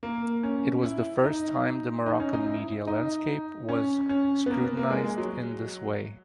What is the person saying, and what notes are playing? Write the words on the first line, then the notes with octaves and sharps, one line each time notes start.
It was the first time the Moroccan media landscape was scrutinized in this way.
A#3
C#4
E4
D#4
D#4
C#4
D#4
E4
D#4
C#4
C#4
B3
A#3
B3
A#3
G#3
G#3
F#3